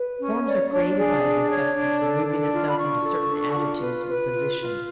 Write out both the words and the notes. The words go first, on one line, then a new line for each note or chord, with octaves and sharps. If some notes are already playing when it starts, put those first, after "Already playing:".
Forms are created by this substance in moving itself into certain attitudes or positions.
Already playing: B4
C#4
C#5 D5
D4 C#5
G#4 D5
D4
C#5
D4
A4
D4
F4
B5
D4 C#6
A4
D4
F4
B4
B4
F4
F4